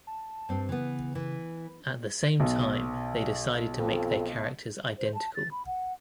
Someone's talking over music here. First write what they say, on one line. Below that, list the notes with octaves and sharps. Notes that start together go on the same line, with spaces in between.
At the same time they decided to make their characters identical.
A5
G2 C4
C#3 E3 B3
E3
B1
F2
C5
A5
A6
B5
F#5